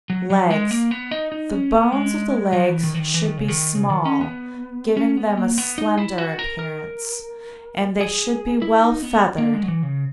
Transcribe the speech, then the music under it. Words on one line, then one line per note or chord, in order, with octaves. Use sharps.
LEGS--The bones of the legs should be small, giving them a slender appearance, and they should be well feathered.
F#3
F#3
G#3
A#3
B3
D#4
D#4
C#4
B3
G#3
F#3
E3
D#3
E3
D#3
E3
D#3
C#3
D#3
C#3
D#3
C#4
B3
C#4
B3
A#3
B3
D#4
E4
F#4
A#4
A#4
G#4
E4
D#4
B3
A#3
G#3
F#3
E3
C#3